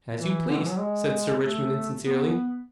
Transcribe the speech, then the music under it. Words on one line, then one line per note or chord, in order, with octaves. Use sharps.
"As you please," said Sir Richmond insincerely.
E3
D3
E3
F#3
G#3
A3
B3